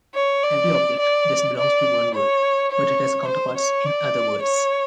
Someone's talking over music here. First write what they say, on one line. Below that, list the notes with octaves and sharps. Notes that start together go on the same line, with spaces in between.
Every object just belongs to one world but it has counterparts in other worlds.
C#5
D5
D5
D5
C#5
C#5
C5
C#5
D5
C#5